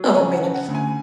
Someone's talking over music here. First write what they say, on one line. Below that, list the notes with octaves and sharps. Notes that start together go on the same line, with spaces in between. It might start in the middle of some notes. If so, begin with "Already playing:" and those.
Oh, man.
Already playing: F#3
C#3 G#5
F#5
C#3
F#5
D2
G#5